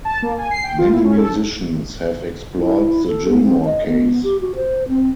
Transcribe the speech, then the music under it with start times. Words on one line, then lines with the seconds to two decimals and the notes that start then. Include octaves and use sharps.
Many musicians have explored the Gilmore case.
0.05 A5
0.22 A#3
0.38 G#5
0.51 C7
0.64 G5
0.78 F4
0.93 E4
1.04 C#4
1.17 A4
2.58 E4
3.07 A4
3.28 B3
3.44 C4
3.65 D#5
3.87 B3
4.23 G4
4.41 F#4
4.55 C5
4.88 C4